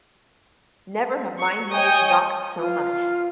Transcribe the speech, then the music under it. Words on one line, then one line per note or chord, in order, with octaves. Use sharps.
Never have my knees knocked so much.
C#6
C#5 D#5 G5 G#5 D#6 G6
F4